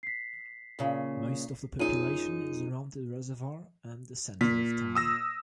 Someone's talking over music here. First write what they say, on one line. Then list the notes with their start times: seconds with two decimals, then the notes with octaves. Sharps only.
Most of the population is around the reservoir and the center of town.
0.03 B6 C7
0.79 A#2 C#3
1.79 F#2 D#4 F4 G#4 D#7
4.41 A#2 B6
4.95 D#6 E6 A#6